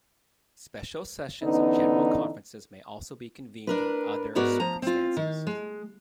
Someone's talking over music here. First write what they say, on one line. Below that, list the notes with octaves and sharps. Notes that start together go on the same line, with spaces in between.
Special sessions of General Conferences may also be convened in other circumstances.
D3 E3 B3 C#4 D#4
D4 A#4 B4
G#2 G#3 B3 F#4 A#4 D5
F3 A#5
C4 F4
D#3
G#3